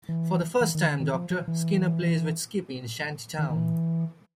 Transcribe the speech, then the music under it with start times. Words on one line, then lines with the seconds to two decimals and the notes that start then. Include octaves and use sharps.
For the first time, Doctor Skinner plays with Skippy in Shantytown.
0.09 E3
0.61 E3
0.75 D#3
0.86 D3
1.00 D#3
1.14 F3
1.30 F3
1.48 E3
3.39 D#3
3.50 D#3
3.56 E3